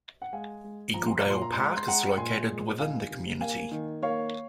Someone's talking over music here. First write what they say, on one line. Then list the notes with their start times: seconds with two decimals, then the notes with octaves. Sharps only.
Eagledale Park is located within the community.
0.22 F#5
0.33 G#3 F5 G#5
0.64 G#3
0.94 F3 A#5
1.06 C6
1.18 A#5
1.26 A#2 C6
1.42 A#5
1.53 G#3 C6
1.65 A#5
1.77 C6
1.87 G#3 F#5 A#5
2.18 A#2 G#5 C6
2.48 G#3
2.79 D#3 F5 G#5
3.11 C3
3.41 A#3 F5 G#5
3.71 D#3
4.02 A#3 C#5 F5